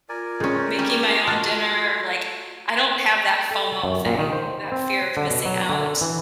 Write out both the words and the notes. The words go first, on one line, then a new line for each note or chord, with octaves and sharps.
making my own dinner, like, I don't have that FOMO thing, that fear of missing out
F4 A#4 D5 G#5
G#3 C#4 D#4
G3 C#4 G4
A3 F#4 A5 A#5 C6 F6 A6
A4
F#2
A#2
D#3
C5
C4
D3
B2
F#3
D3
E3